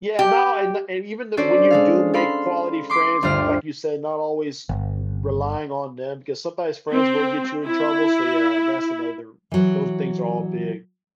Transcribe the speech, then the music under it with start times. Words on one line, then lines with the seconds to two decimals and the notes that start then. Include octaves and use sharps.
yeah, no, and the and even then, when you do make quality friends, l like you said, not always r relying on them because sometimes friends will get you in trouble, so, yeah, that's another t those things are all big.
0.19 G4
1.37 C#4 D4 F#4 A4 C5 D5
1.70 G#3 A4 F5
2.14 A4 F5 B5 C6
2.90 C6 D6 B6 C7
3.23 G1 D2 G3 F4 C5 F6
4.69 G1
6.90 C4
7.64 E4
9.52 E3 F#3